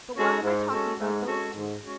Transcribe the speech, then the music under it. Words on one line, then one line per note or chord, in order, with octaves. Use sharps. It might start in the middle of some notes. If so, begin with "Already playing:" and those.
But why am I talking about those two?
G#3 C#4 F#4 A4
G#2
G#3 C#4 F#4 A4
G#2
G#3 C#4 F#4 A4
G#2
G#3 C#4 F#4